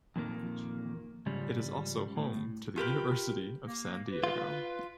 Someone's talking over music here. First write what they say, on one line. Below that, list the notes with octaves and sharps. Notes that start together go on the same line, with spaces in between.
It is also home to the University of San Diego.
F2 A#2 D#3 G3 A#3
G#2 C#3 F3 G3
A2
F4 G4 A#4 B4
A#3
B4
F4